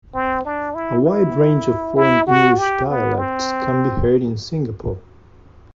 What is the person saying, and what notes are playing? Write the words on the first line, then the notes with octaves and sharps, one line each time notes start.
A wide range of foreign English dialects can be heard in Singapore.
C4
D4
E4
E4
E4
F#4
G4
B3
C4